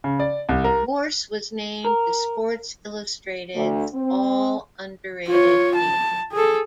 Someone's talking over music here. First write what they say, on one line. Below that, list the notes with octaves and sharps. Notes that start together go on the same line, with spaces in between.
Morse was named to "Sports Illustrated"'s "All-Underrated Team".
C#3
D5
C2
A#4
A#4
D2
C4
F4 C#5
A5
G#4 A4